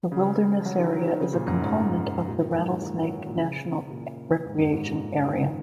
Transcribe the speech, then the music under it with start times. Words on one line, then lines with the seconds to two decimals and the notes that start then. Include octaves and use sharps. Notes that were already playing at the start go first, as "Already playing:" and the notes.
The wilderness area is a component of the Rattlesnake National Recreation Area.
0.12 C#3
0.66 F#3
0.79 D#3
0.92 F#3
1.06 D#3
1.20 C#3
1.33 A#2
1.47 F#2
1.60 G#2
2.28 A#2
2.42 D#3
2.55 G#2
2.69 A#2
2.82 D#3
3.00 F#3
3.26 A#2
3.36 C#3
3.90 A#2
4.45 G#2
4.59 F#2
4.72 G#2
4.85 A#2
4.99 A#2
5.26 D#3